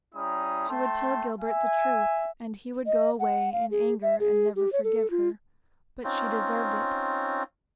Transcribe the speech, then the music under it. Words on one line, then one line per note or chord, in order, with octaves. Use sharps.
She would tell Gilbert the truth, and he would go away in anger and never forgive her, but she deserved it.
G3 C#4 E4 A#5 D#6
A3 G5 A5 C6
E5 G#5
D#5
F#5
F5
G#4
E5
G#4
G4
C#5
A4
F4
C4 C#4 D#4 F4